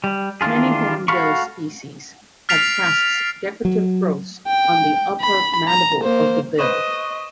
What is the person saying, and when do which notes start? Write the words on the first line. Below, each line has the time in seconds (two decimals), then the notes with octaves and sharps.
Many hornbill species have "casques", decorative growths on the upper mandible of the bill.
0.04 G3
0.41 D#3 E3 D4 F4 G#4
1.08 F#4 A4 F5 B5 C#6
2.49 F6 A6 B6 C7 D7 F7
3.65 F#3
4.47 G5
5.21 B5
5.68 A#5
6.03 A#3 C5
6.59 B4 C5 D#5 C#6 E7